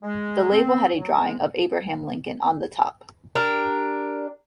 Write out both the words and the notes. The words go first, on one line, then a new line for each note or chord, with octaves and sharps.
The label had a drawing of Abraham Lincoln on the top.
G#3
C4
F#3
G#3
D4 G4 A#4